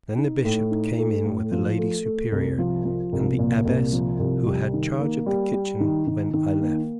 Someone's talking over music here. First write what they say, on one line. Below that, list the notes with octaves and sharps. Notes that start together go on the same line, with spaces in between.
Then the Bishop came in with the Lady Superior, and the Abbess who had charge of the kitchen when I left.
D#4
A2
D#4
A3
A2
F3
A3
A3
C2
F3
F3
C2
A#2
C2
F3
C2
G3
D#3
A#3
G3
G3
D#3
D#3
D#3
A#3